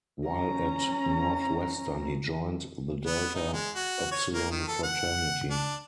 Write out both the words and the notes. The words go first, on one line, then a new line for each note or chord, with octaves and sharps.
While at Northwestern he joined the Delta Upsilon fraternity.
C#4 A#5
B3
D#4
G#3
F#4
C#5
A#3
D#3
A4
F#5
D4